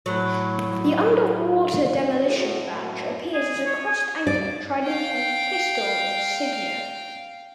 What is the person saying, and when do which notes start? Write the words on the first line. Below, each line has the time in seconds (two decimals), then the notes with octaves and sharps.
The Underwater Demolition Badge appears as a crossed anchor, trident and pistol insignia.
0.06 A2 F#3
2.25 A2 G#3 F#4
2.72 F#2 A2
3.34 G#4
3.66 C#5
3.86 G#5
4.27 D5
4.85 F5 G5